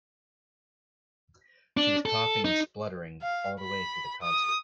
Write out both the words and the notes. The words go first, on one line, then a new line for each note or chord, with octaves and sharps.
She was coughing and spluttering all the way through the concert.
D4
A4
D#4
F5
B5
D#6